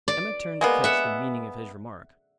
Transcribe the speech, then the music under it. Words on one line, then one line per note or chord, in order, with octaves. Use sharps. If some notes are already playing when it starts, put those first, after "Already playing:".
Emma turned to catch the meaning of his remark.
D5
G#3 A#3 B3
E5 F#5